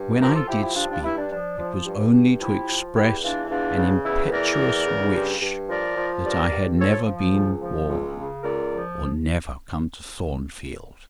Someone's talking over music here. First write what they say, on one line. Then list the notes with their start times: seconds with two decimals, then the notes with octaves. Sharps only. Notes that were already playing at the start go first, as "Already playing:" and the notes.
When I did speak, it was only to express an impetuous wish that I had never been born, or never come to Thornfield.
Already playing: G2
0.20 F3 G4 A#4
0.34 F4 A4
0.48 F3 E4 G4
0.62 E4 G4
0.75 G2 D4 F4
0.89 D4 F4
1.03 G2 E4
1.17 D4
1.31 F3 D4
1.58 F3
1.85 G2
2.12 G2
2.40 F3 E4 G4
2.68 F3
2.95 E2 E4 G4
3.23 E3 D4 F4
3.49 E2 D4 F4
3.78 C#3
4.04 E2 E4
4.32 E3 A#4 D5
4.60 E2
4.87 C#3
5.14 G2
5.42 G2
5.69 F3 A#4 D5
5.97 F3
6.24 G2 A#4 D5
6.51 G2
6.79 F3 A4 C#5
7.06 F3
7.33 C#2
7.61 F3
7.89 C#2
8.16 C#3
8.43 C#2 A#4 D5
8.72 F3